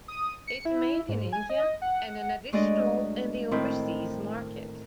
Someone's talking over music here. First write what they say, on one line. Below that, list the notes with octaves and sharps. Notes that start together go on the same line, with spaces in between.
It made in India and an additional in the overseas market.
D#6
C#7
E4
G#2
G#5
D#5
F#5
F#3 G#3 A3 D4 D5 D#5
A2 D#3 C4 E4